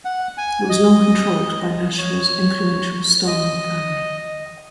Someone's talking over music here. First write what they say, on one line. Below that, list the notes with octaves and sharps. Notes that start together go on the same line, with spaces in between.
It was long controlled by Nashville's influential Stahlman family.
F#5
G#5
D#5
C#5
D#5